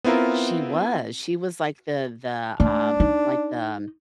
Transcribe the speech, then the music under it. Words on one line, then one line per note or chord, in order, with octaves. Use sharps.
She was, she was, like, the the, um, like the,
B3 C4 E4 F4 A#4
A3 D4
D#4